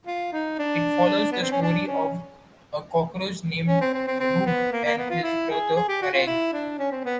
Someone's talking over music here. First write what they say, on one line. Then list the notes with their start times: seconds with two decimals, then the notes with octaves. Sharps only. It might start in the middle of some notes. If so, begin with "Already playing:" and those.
It follows the story of a cockroach named Rube and his brother Reg.
0.07 F4
0.33 D#4
0.59 D4
1.32 B3
1.42 C4
1.51 C#4
1.62 D4
1.87 C#4
3.68 C#4
3.81 C4
3.94 C4
4.08 C4
4.20 C4
4.46 B3
4.72 A#3
4.85 A#3
4.98 B3
5.10 F4
5.23 E4
5.50 G#4
5.76 G#4
5.88 G4
6.02 F#4
6.14 F4
6.27 E4
6.53 D4
6.79 C#4
6.92 C4
7.05 B3